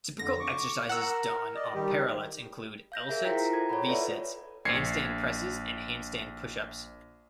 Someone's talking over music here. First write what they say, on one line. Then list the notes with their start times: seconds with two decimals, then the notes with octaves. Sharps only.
Typical exercises done on parallettes include L-sits, V-sits, handstand presses and handstand pushups.
0.19 F2 D3 A#6
0.40 C#6 D6
0.89 A#4 F#5 E6
1.55 D5 D#5
1.74 D#3 G3 G4
2.92 F5 G6 A#6
3.09 G#4 A#4 E5
3.25 E4 F4 C5 G5 A#5 B6
3.53 A4 A#5 G#6
3.69 C#5 F#5 B5
3.87 F4 A4 B4 D5 E5
4.65 A#1 G#6 C7 C#7